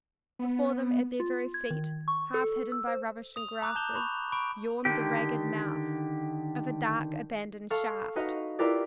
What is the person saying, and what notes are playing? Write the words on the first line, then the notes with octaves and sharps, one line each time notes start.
Before them, at their very feet, half-hidden by rubbish and grasses, yawned the ragged mouth of a dark, abandoned shaft.
B3
F4
G#6
D#3
C#6
A4
E6
C5
D#6 F7
A#5 D6 F#6
A5 G6 E7 F7 G7
B5 C#6 F7
B5 C#6 D7
D3 D#3 G4
A4 F5 C#6
D#4 F#4 B4 D#5 F5
E4 F4 G4 A#4 B4 D5